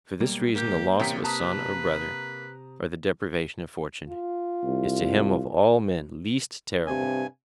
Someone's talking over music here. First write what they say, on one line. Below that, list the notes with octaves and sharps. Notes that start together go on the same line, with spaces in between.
And for this reason the loss of a son or brother, or the deprivation of fortune, is to him of all men least terrible.
B1 G3 A#3
G1 A#3 G4 G6
A1 C3 G5 A#5 B6
B4 A5 A#5 D#6
F4
C2
G2 C3 G#5